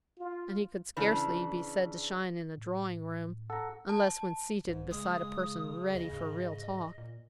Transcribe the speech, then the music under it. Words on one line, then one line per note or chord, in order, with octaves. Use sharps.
And he could scarcely be said to shine in a drawingroom, unless when seated beside a person ready for real talk.
F4
C#3 E3 D4
A2
A4 F#5 A#5
A5
C2 G#2
C#3 G#3 D#6
G#3
D#2 D#5
G#2
A#2